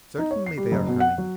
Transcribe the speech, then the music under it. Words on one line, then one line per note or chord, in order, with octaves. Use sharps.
Certainly, they are coming.
D#4
C#5
C7
G3
F#1
B2
F#5
F#3